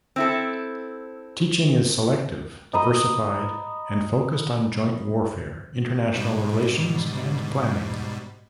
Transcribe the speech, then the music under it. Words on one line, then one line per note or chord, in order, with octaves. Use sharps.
Teaching is selective, diversified, and focused on joint warfare, international relations, and planning.
C4 E4 A4
D#5 A#5 B5 D#6
G#2 B2 G3